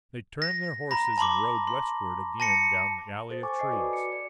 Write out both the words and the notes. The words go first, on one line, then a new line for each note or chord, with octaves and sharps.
They turned their horses and rode westward again down the alley of trees.
A#6
A#5 B5 A#6
A5 B5 C6 D6
C6
A5 A#6 C#7
A4 C5 A6
G#5 C#6 D6
D#5 G#5 C7
F#4 A4 B4 D5 D6
D5 C#7
D5